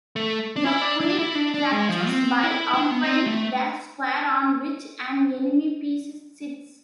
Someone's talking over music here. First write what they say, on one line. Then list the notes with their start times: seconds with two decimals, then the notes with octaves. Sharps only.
The queen captures by occupying the square on which an enemy piece sits.
0.16 A3
0.56 D4
0.65 E4
0.82 D4
1.01 D4
1.19 E4
1.35 D4
1.54 D4
1.72 G#3
1.89 F3
2.08 C4
2.43 E4
2.74 E4
2.79 D4
2.91 B3
3.03 C4
3.26 A3